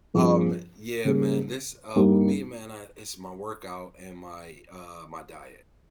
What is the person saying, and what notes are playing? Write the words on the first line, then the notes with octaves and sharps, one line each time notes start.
Um, yeah, man. This, uh, with me, man, I it's my workout and my, uh, my diet.
G2 F3 C4 F4 G#4
C#3 G3 A#3 C#4 G#4
G2 G3 A#3 D#4 G4